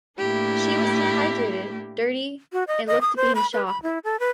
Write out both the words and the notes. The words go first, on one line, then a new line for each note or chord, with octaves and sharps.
She was dehydrated, dirty and looked to be in shock.
A2 A#3 D4 E4 G4
F#4
D#5
D#5
D#6
C5
B5
B4
B5
E4
A4
B4